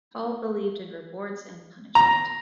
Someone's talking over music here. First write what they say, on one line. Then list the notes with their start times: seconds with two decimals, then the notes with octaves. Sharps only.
Paul believed in rewards and punishment.
1.95 A#5